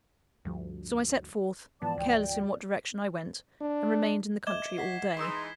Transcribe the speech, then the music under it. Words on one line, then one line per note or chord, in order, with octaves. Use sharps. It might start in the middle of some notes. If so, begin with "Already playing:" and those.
So I set forth, careless in what direction I went; and remained in the country all day.
D2 G2 F3 G3
G#2 E3 F3 B3 D5 A5 D6
D2 G5
D4
D#5 E5 D6 G#6 E7 G7
F#4 B6 C7
E3 G#3 D#4 C6 C#6 E6